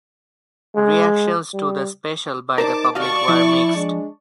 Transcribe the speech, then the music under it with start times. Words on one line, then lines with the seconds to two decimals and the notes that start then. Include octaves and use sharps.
Reactions to the special by the public were mixed.
0.75 G#3
1.54 G3
2.58 D#4 A#4 C5 D5 A5 D6
2.95 D#2 F#4 D5 D#5 F5 A5 C#6
3.28 F3 E4
3.75 G#3 D4